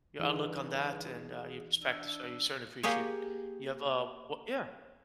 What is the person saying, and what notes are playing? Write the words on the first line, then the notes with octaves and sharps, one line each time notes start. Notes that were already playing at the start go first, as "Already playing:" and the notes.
your outlook on that and, uh, your perspectives, so, certainly appreciate it. You have a wo Yeah.
G2 E3 D#4 G#4
D4 E6
A#3 G4 G#4 C#5